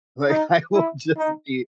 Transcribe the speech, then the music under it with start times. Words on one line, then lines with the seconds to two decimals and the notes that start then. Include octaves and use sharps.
Like, I will just be
0.29 D#4
0.74 E4
1.18 D#4